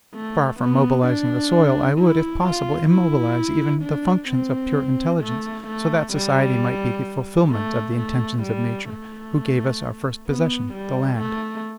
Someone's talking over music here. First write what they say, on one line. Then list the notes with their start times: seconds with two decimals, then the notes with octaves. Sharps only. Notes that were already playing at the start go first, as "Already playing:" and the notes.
Far from mobilizing the soil, I would, if possible, immobilize even the functions of pure intelligence, so that society might be the fulfilment of the intentions of Nature, who gave us our first possession, the land.
0.15 A3
0.60 B3
1.06 D4
1.98 E4
2.44 F4
2.91 E4
3.83 D4
4.29 C4
5.21 A3
5.67 A3
6.13 G3
7.51 A3
7.97 A3
8.43 G3
8.89 A3
10.28 B3
10.74 G3
11.19 A3